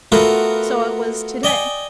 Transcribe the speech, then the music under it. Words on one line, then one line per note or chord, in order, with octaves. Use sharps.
So it was to-day.
A3 B3 F4 F#4 A#4 B4
D5 D#5 G5 G#5